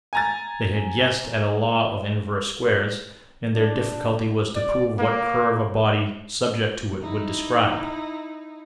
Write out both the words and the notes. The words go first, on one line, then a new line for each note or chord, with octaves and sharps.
They had guessed at a law of inverse squares, and their difficulty was to prove what curve a body subject to it would describe.
G#5 A#5 A6
D4
D5
A#3
D#4 E4